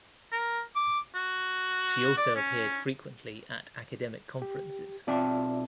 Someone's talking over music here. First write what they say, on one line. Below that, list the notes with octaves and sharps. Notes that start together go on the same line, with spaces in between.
She also appeared frequently at academic conferences.
A#4
D6
F#4
D5
C#4
G4
B1 C4 F4 D5 E5 A5